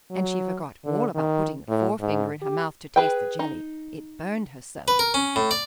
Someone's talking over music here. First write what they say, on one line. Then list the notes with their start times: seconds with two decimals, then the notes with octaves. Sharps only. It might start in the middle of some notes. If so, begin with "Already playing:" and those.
And she forgot all about putting the forefinger in her mouth to taste the jelly, it burned her so.
0.11 F#3
0.85 D3
1.15 D#3
1.69 A2
2.00 G#2
2.42 G4
2.96 G#4 B4 G5
3.39 D#4
4.88 B4
4.99 A#4
5.14 C#4
5.36 A2
5.51 D5